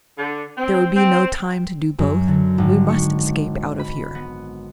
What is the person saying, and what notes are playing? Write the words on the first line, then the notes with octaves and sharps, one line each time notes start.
There would be no time to do both: we must escape out of here.
D3
C4
C4
F#2
D3
G#1
C#6
B5
B3